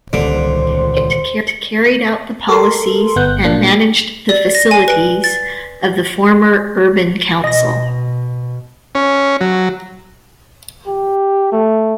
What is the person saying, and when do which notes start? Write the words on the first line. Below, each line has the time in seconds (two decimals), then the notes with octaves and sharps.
It carried out the policies and managed the facilities of the former Urban Council.
0.13 D#1 C#2 A#2 D3 C5
2.48 A4 A#4 C6
3.16 G1 B3 F#6 G6
3.44 A#2 A#3 D4
4.29 D5
4.55 A#6
4.71 G#5
4.88 B4
5.24 A6
7.44 B2 D#5 A#6
8.95 C#4
9.41 F#3
10.87 G4
11.52 A3